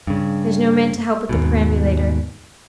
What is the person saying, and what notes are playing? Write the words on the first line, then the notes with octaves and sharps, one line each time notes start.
There's no man to help with the perambulator.
G2 C#3
D#2 G#2 B2